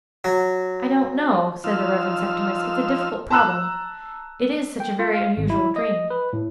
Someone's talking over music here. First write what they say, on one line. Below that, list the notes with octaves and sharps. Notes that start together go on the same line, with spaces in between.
'I don't know,' said the Reverend Septimus; 'it's a difficult problem. It is such a very unusual dream.
F#3
F3 D#4 F4 E6 F6
A5 A#5 E6 F#6 E7
G5
F4
F5
G#1
E4
D#5
B4
A2